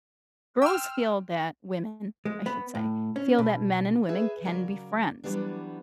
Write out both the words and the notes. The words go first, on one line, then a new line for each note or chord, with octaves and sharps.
girls feel that women, I should say, feel that men and women can be friends.
G5 C6 E6 F6
G#3
B3
A2
C#4
B2
G#4 B4 E5
C#3 F#3 A#4 D5
E3 F#3 G3 B3 D4